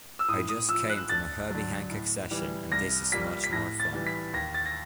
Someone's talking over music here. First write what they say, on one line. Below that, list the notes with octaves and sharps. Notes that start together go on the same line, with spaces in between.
I just came from a Herbie Hancock session and this is much more fun.
E6
A2 D#6
D#6
F3 E6
F#6
D2 A6
D3 F#3
A2
E3 G3
C2 A#6
A#2 G3 B6
B6
A2 A#6
A6
E3 G3
B6
D#2 A#6
A6
A#6